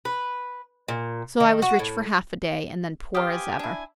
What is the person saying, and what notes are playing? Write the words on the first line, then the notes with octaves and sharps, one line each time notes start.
"So I was rich for half a day, and then poor as ever."
B4
A#2
D#3
F#4
A2
B3 C4 F4 G4 D#6 F6
G#5
D4 E4